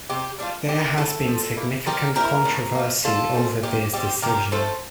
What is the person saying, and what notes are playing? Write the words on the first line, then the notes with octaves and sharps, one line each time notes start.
There has been significant controversy over this decision.
C3 G4
G3 D4 F4
D3 G4
A3 E4 F4 A4
F3
A#3 E4
F3 G4 A#4
C4 E4 G4 A#4
A2
F3 A#3
D3 F4 A4
G3 C4
A#2 G4
G3 C4 G4
C3 G4 A#4
F3 A3 A4 C5